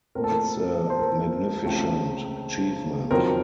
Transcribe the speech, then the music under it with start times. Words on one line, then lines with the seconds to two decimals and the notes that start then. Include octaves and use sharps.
It's a magnificent achievement.
0.15 A#2 A3 C4 A#4
0.24 A4
0.31 A#4
0.90 C5
0.99 A#4
1.08 C5
1.64 C#2 C#3 A3 C4
3.11 F2 D#3 F#3 C4 A#4